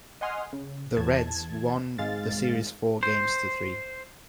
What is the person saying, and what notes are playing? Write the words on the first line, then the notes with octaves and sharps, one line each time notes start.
The Reds won the series four games to three.
D#5 F#5 G#5 C6 D#6 F6
C#3
E2 A5 G#6
G#1 G#2 G#3 F5 A6
C5